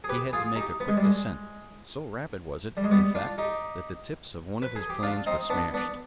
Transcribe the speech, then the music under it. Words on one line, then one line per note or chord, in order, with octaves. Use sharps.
He had to make a quick descent--so rapid was it, in fact, that the tips of one of his planes was smashed.
G#4
G4 B4
F4 G#4
D#4 G4
B3
G#3
G3
G#3
G3
G#3
G3 B3
D4 F4
D#4 G4
B4
G#4
G4
D4 F4
C4 D#4
B3 D4
B3 D4